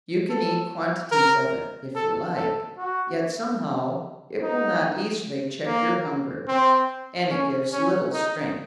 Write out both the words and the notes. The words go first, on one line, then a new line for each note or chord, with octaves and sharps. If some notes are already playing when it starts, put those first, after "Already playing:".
You can eat quantities of it, if you like, yet somehow it will not easily check your hunger, and it gives little strength.
A4
A#4
A4
A4
F#4
D#4
A#3
C4
C#4
C#4
D#4